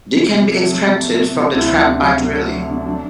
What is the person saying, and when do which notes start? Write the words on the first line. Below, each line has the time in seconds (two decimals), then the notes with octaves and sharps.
They can be extracted from the trap by drilling.
0.18 C3
0.35 C3
0.51 A3
0.68 F#3
0.85 C3
1.02 C3
1.19 C3
1.35 C3
1.51 D2 E4
1.68 D2
1.85 C3 D4
2.02 F#3
2.18 C3 D4
2.35 A3
2.52 F#3
2.69 C3
2.86 F#3